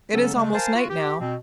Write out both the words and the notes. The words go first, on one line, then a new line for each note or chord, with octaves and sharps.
It is almost night now.
C#3 F#3 B3 C#4 A4
C#3 G#3 A3
A#4 C5 F5 G#5 A5
F4 F#4
G4
B2 C4